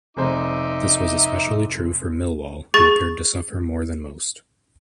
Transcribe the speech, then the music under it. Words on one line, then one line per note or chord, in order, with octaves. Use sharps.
This was especially true for Millwall, who appeared to suffer more than most.
F1 D#4 C5 E5 D6
G#4 C#6 A6